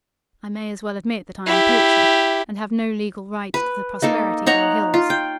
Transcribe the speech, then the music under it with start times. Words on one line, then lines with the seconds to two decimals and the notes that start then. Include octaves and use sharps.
I may as well admit that I am a poacher, and have no legal right to the prosperity of your hills.
1.46 E4 G4
3.54 B4
4.02 A#3 D#4 A4
4.46 D#4 C#5 F#5 A#5
4.94 F4
5.10 G5